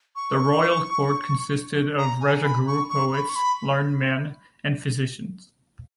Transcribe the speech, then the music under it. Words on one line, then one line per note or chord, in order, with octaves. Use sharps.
The royal court consisted of a "Rajaguru", poets, learned men and physicians.
C#6
A#5
G#5
B5
C#6
C#6
B5
C#6
B5